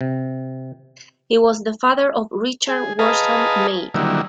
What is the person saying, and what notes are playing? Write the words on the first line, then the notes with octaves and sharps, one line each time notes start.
He was the father of Richard Worsam Meade.
C3
G#4
G#4 B4 D#5 F5 A5 A#5
D3 D#3 F#3 G3 A#3 E4